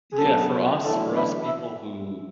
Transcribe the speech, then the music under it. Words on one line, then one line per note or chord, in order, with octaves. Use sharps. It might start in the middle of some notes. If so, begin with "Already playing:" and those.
Yeah, for us for us people who
G#4
B2 F#3 B3 A4
E2 D3 F#3 A3 E4 A4
B4
E5